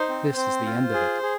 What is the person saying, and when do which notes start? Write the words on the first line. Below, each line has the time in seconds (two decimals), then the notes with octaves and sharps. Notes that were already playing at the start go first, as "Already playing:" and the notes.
This is the end of it.
Already playing: D#4 C5
0.09 C4
0.37 C4
0.66 F4
0.94 G#4
1.23 G#4